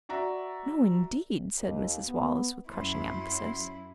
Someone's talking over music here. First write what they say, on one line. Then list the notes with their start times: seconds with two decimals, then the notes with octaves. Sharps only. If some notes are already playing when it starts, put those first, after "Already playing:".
"No, indeed," said Mrs. Wallace, with crushing emphasis.
0.09 F#4 D5 E5 A#5
1.60 D#2
2.07 B3
2.69 F#2 E4 C6